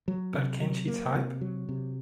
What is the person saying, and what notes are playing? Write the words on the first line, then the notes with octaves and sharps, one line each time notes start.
But Can She Type?
F#3
C3
F#3
A#3
C3
F#3
C3